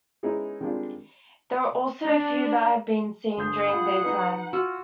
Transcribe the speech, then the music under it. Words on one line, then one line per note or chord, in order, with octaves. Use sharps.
There are also a few that have been seen during daytime.
G#3 B3 C#4 D#4 E4 G#4
D#3 G3 G#3 C4 D4 F4
D4
G1 G#4 C6 G6
F4 F#5 B5
D#4 B4
F4 F#4 E6